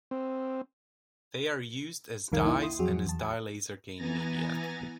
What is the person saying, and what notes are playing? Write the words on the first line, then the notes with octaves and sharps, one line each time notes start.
They are used as dyes and as dye laser gain media.
C4
C2 F2 D#3 A#4 F5 G#6
A#3 D#4 E4
E4 G5 C6 D#6
F2 F#3 F#4 G#4
E2 A5
G#5
E3 B3 G#5 A#5 A6 A#6